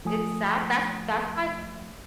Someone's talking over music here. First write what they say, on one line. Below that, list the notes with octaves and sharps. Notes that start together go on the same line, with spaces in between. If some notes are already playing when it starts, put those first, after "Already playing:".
Exact That's that's why
F3 A3 G#5 D#6